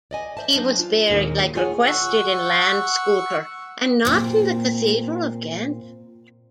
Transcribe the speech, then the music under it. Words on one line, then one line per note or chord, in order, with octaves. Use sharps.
He was buried like requested in Landskouter, and not in the Cathedral of Ghent.
D5 D#5 G#5
C5 E5 A5
F#3 D4 D#4 C5
F4
D#2 A#2 G#3 A#3 D#4
F4 G#4 C#5 F#5 G#5
F#5 C#6 E6
A#2 C4